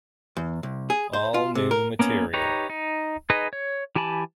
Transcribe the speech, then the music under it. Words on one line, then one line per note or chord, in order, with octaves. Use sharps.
All new material.
E2
C2
G#4
C5
F4
C3
A#4
A#3 B3 C#4
D#4 G4 B4 C#5 A#5
D#4
D#4 G#4 B4 D#5
C#5
E3 G4 G#5 A5 B5